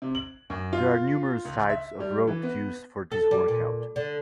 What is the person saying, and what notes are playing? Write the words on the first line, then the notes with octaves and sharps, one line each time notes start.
There are numerous types of ropes used for this workout.
C3
F#7
F#2
F4
C#2
E5
G3
E3
B3
A4
G3
A#2
D3